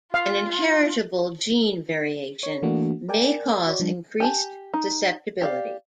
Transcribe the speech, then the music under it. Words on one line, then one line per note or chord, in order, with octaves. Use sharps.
An inheritable gene variation may cause increased susceptibility.
F4 F5
C#5
E3 A3 A#3 D4 F#4
A#4 D5 G5 G#5
F#4 C#5 D5
F3 G3 D4
G4 G#5 A5
D#4
G4 D5 F5